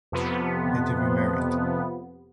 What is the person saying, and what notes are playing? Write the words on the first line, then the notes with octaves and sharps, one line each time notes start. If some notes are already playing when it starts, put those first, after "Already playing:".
Betty remarried.
F2 C3 F3 B3